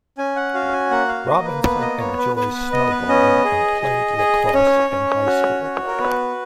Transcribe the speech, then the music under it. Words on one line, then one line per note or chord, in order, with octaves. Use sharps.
Robinson enjoys snowboarding and played lacrosse in high school.
C#4 G#5
F#5
F#4 F5
G#5
A#3 F#5
F5
A#3 D#5
B4
B3 B4
D#5
B3 C#5
B4
B3 B4
B4
B3 D#5
B4
C#4 D#5
G#4
G#4
G#4
D#5
C#4 C#5
C#4
F#4
F#4
A#4
B3 B4